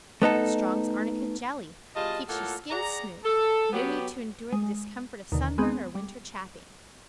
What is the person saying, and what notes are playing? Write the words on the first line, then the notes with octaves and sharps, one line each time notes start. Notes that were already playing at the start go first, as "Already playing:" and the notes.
Strong's Arnica Jelly Keeps Your Skin Smooth No need to endure the discomfort of sunburn or winter chapping.
A3 B3 D#4 A4
B2 G3 F4 G#4 D#5 A5
A2 A3 A#3 F4 A4 F#5
G#4 D5 F#5 A#5
A4
F#3 B3 G4
G#3
D#2 B2 D3 D#3
G#3 B3 C4 G#4
G3